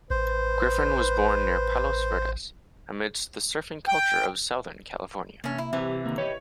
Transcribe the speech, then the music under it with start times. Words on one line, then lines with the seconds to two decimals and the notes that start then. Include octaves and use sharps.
Griffin was born near Palos Verdes amidst the surfing culture of southern California.
0.10 A1 B4 C5
3.88 G5
5.44 E2 C3 A#3 C#4
5.58 E4
5.73 C2 C3 E3 G4 G#5
6.06 D3 D#3 A#3
6.18 G4 B4 C#5 D#5